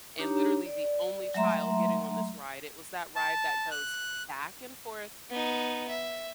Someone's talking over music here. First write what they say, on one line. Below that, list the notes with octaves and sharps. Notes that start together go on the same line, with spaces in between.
and literally, the only child getting on this ride. It was that ride that goes back and forth,
D4 D#4 G4 C#5 A#5
D5
F#3 G#3 A3 E5 A#5 C6
A5
F#6
B3 D#4
E5